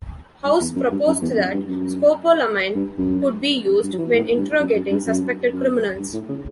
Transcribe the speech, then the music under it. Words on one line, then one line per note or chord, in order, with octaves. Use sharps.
House proposed that scopolamine could be used when interrogating suspected criminals.
G2
E2
F#2
G2
F#2
E2
F#2
G2
F#2
G2
F#2
F#2
G2
F#3
E3
A2
G2
F#2
F#2
G2
F#2
F#2
G2
A2
C#3